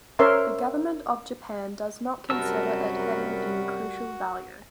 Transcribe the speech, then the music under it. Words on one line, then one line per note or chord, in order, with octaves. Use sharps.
The government of Japan does not consider it having any crucial value.
C#4 A#4 C5 C#5 E5 C6
F#2 C3 G3 F#4 A#4 A5 B5 E6